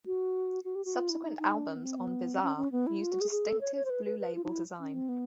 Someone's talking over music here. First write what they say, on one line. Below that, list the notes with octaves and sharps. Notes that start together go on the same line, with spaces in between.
Subsequent albums on Bizarre used a distinctive blue label design.
F#4
F#4
G4
F#4
F4
E4
D#4
D#4
D4
C#4
B3
C4
B3
C4
C#4
C#4
B3
E4
F4
F#4
G#4
G#4
A4
C#5
C#5
C5
B4
B4
B4
F4
D#4
E4
C#4
C4
B3